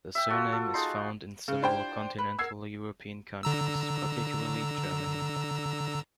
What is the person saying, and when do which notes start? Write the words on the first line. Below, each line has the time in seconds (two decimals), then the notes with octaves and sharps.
The surname is found in several continental European countries, particularly Germany.
0.15 E5 G5
0.28 F4 F#4 A4
0.52 A4
0.74 G#3 D#4 C6
1.48 C#3
1.62 D4 E4 F4 G4 C5 G5
2.18 B4
2.39 A#4 F#5 E6 G#6 C7
3.43 D3 A#5 E6